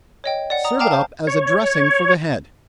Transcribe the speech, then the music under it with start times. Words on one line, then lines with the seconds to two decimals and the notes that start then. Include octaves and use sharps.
Serve it up as a dressing for the head.
0.24 C#5 D#5 G5
0.50 D5 F#5
0.64 A#5 D#6
0.79 F5 G5 A5 A#5 D6 F6
0.91 C5 A5
1.27 C#5